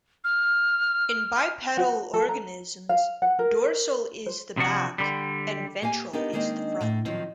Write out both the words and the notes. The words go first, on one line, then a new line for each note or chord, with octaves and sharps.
In bipedal organisms dorsal is the back and ventral is the front.
F6
F#4
A4
A#5
F5
F#5
A#4
C5
C3 F3 D4 F#4
D3 G3
A#3 G4 F5 G#5
B3 D4 D#4 G4 A#4
D#3 G#3 A#3 C4 D4 D#4
A2
D#3 F3 F#3 C4